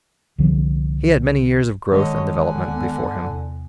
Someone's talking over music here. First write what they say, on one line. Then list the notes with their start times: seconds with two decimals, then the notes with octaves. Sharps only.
He had many years of growth and development before him.
0.38 C2 D3 F3
1.92 D3 D#3 G#3 C#5 D#5
2.33 F#5 G#5
2.66 D#2 B3
3.24 E2 C3